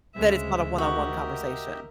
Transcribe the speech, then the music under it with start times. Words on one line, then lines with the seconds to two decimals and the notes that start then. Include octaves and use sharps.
Then it's not a one-on-one conversation,
0.15 D2 C#3 G#3 E5
0.78 F#4 G4 A#4 D#5 E5